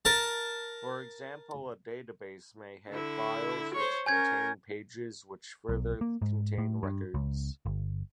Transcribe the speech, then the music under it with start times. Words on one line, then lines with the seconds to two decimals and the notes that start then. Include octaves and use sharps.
For example, a database may have files, which contain pages, which further contain records.
0.05 A#4 A5
2.89 D3 E4
3.74 C5 C#5
4.06 C#4 A#4 G#5 G6 G#6
5.69 B1
6.01 A#3
6.22 G#2
6.58 A2
6.83 G2
7.14 C#2
7.66 G1